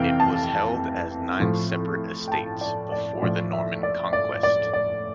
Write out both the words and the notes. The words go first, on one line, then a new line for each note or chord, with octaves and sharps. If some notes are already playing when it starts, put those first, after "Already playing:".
It was held as nine separate estates before the Norman Conquest.
Already playing: F2 C3 E3 F5 G5
A5
A2 F3
G5
A5
D5
D5
A2 F3 D5
E5
D5
D5
D5
D5